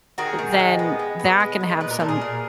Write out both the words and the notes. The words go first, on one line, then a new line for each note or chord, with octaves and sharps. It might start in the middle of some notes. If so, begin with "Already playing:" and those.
then that can have some
D#3 F#4 G#4
D#3
G#3
B3
G#3
B3
G#3
B3
A#2 B4
A#4
A#2 A4
G#4 A#4
A#2